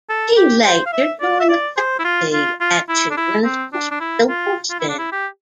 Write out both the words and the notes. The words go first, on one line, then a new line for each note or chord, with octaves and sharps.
He later joined the faculty at Children's Hospital Boston.
A4
G4
C5
F5
E5
D5
E5
D5
C5
E4
F4
F4
F4
E4
D4
E4
C4
D4
D4
E4
F4
F4
E4
D4
E4
G4